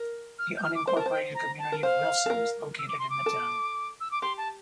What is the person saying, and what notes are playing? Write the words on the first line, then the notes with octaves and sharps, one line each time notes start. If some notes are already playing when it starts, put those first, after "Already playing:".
The unincorporated community of Wilson is located in the town.
Already playing: A#4
F6
G6
F6
D6
C5 C6
A#4 A5
C5
G5
A#5
A5
A#4
C5 F5
A4
A#4
E6
D6
C6
D6
A4
E6
D6
G4 C6
A5